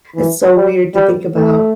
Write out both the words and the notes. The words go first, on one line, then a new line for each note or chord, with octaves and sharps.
It's so weird to think about.
E3
G3
G3
A3